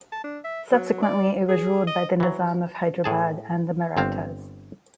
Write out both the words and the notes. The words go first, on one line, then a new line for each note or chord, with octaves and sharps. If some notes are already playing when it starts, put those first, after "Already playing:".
Subsequently, it was ruled by the Nizam of Hyderabad and the Marathas.
A5
D4
E5
F#3
D5
G#4
D#5
E3 F#3
A2 G#4 A5
G1 C4 F5